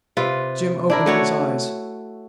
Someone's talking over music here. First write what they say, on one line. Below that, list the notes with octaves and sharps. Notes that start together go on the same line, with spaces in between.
Jim opened his eyes.
C3 F4 B4
D4 E4 A#4
A3 F#4 C#5